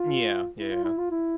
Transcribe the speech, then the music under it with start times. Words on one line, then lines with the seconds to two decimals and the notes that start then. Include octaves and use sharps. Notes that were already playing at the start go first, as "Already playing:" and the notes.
Mm, yeah, yeah.
Already playing: F4
0.57 E4
0.71 F4
0.84 E4
0.98 F4
1.11 E4